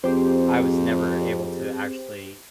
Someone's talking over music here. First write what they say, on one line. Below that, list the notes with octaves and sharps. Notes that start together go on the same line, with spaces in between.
I was never able to actually
F2 C4 G4 G#4 C5